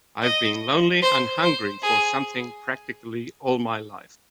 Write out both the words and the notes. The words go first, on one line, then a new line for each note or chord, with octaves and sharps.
I've been lonely and hungry for something practically all my life.
D#5
C5
C5
G#4